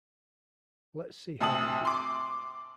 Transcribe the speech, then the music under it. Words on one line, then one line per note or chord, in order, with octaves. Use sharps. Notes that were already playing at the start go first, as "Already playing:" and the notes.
Let's see how they do.
D2 C3 A5 D#6 F#7
C6 D6